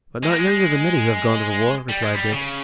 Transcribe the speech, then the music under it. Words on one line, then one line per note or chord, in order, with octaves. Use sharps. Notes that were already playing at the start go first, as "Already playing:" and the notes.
"But not younger than many who have gone to the war," replied Dick.
G#3
A#3
G#3
G3
G#3
G3
C#3